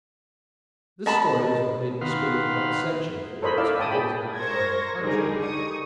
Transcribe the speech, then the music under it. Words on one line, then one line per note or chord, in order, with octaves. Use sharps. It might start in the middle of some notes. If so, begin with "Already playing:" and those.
This story is what made me speak of that section a few minutes ago as an outlying country.
D#5 A5 B5
D#3 B4 F5 F#5 C6
A4 A#4 C5 C#5 D#5 B5
E4 D5 F5 E6
C#5 G5 A5 D#6
G#4 G5 A5 B5
A#4 C5 C#6 G#6 A#6
D3 G3 D#4 G4 G#4 A#4
C#6 D#6